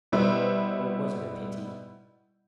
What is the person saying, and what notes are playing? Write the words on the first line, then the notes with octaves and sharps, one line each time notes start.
Or was it a pity?
B2 G3 E4 B4 C5